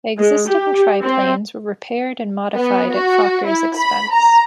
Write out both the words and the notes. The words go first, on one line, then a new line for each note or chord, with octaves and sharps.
Existing triplanes were repaired and modified at Fokker's expense.
G#3
G4
C4
B3
F#4
E4
B5
A#5